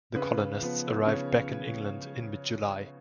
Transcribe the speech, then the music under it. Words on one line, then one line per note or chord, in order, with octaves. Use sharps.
The colonists arrived back in England in mid-July.
C#3 B4
F3 B3
C#3 C#5